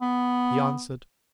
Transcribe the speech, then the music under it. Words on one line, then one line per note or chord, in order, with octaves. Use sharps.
He answered.
B3